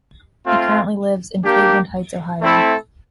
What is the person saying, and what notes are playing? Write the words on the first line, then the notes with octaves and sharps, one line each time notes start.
He currently lives in Cleveland Heights, Ohio.
A3 C4 F4
A#3 D4 G4
A3 C4 E4 A4